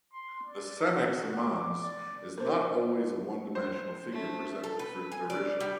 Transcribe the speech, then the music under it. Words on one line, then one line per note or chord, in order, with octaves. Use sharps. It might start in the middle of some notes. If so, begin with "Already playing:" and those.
The "senex amans" is not always a one-dimensional figure presented for derision.
C6
D5
F#4
D6
D5
A#4 C5
C5
A3
A4
B4
G#5
D5
G3